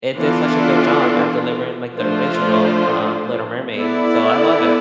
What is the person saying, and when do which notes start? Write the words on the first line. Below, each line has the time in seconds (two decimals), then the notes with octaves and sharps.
it did such a good job at delivering like the original, um, Little Mermaid, so I love that.
0.16 E3 B3 D4 F4 A4
1.96 F3 A3 D4 F4 C5
3.75 B3 E4 A4 D5